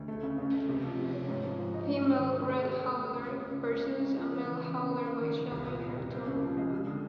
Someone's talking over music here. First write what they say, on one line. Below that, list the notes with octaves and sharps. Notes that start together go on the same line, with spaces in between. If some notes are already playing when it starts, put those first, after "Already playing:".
Female red howler pursues a male howler by showing her tongue.
Already playing: D2
A3
C#3
C#3
A3
C3
F3
C3
C#4
G#2
F3
F3
D#4
G#2
G#3
D#3
C#4
A3
G4
A3
A3
C#2
C#2
C#3
C#2
G#3
C#3
C#3
F3
A#3
E3
C#3
C#3
A#3
A#3
D#3
A#3
C2
A#2
C2
C2
C4
C#3
F3
G#3
G3
D3